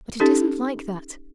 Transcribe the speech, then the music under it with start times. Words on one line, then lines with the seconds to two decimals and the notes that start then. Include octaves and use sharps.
But it isn't like that.
0.20 C#4 D#4 G4 A4